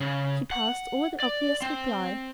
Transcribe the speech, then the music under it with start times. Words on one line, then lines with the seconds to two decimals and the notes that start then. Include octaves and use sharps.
He passed over the obvious reply.
0.01 C#3
0.51 F#5
1.20 D5
1.62 C4